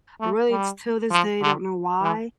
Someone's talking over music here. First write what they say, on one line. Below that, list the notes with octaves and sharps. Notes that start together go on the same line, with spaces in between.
Really, it's till this day, I don't know why,
A3
G3
F3
D3
E3